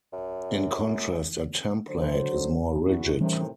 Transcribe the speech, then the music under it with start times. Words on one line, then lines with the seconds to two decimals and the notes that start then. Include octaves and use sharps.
In contrast, a template is more rigid.
0.13 F#2
1.88 D3 F#3 C5
2.86 E2 E4 F#4
3.21 A2 C3 D#3 E3 G3 C#4